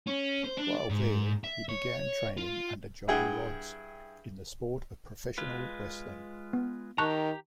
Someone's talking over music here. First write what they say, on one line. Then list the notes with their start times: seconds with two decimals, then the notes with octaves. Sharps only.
While there, he began training under Johnny Rodz in the sport of professional wrestling.
0.07 C#4
0.44 C5
0.58 D4
0.74 D5
0.90 G#2
1.44 E5
1.69 C#5
2.37 F4
3.08 G2 E4 G#4 F#5 G5
5.38 G#3 F4 B4
6.53 B3
6.98 D#3 G4 A5 A#5 C#6 F#6